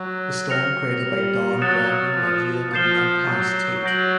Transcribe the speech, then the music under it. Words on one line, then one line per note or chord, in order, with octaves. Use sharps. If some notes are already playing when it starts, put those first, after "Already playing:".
The storm created by Don Bradman that year did not pass Tate.
Already playing: F#3
F6 A#6 C#7 F7
G3
F#3 D#6 F#6 A6 C#7 E7
F3
F3 G6 C7 E7 G7
F#3
F#3 G6 A#6 D7 F#7